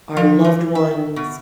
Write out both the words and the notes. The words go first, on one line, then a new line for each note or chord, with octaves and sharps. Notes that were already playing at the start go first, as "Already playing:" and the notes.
our loved ones
F3
E3
E5
B2